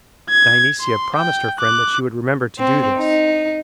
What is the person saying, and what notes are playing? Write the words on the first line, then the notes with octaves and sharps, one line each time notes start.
Dionysia promised her friend that she would remember to do this.
G#6
C6
G5
D6 F#6
C4
D#4